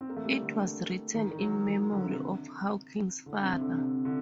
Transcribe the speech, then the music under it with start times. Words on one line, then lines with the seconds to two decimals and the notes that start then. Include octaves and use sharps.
It was written in memory of Hawkins' father.
0.01 C4
0.10 A#3
0.17 A3
0.25 G3
0.42 D3
1.14 D#3
1.31 D#3
1.40 F#3
1.67 D#3
1.93 D3
2.06 C3
3.26 D3
3.43 C3
3.54 C3
3.61 D3
3.78 C3
4.05 D3